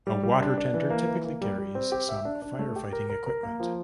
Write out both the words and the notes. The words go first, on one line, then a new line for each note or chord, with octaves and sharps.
A water tender typically carries some fire fighting equipment.
G3
G3
D4
D4
E3
A#3
E3
A#3
G3
G3
C4
G4
E5
D4
D4
A3
G4
A#4
A#4
A#4
A#3
F3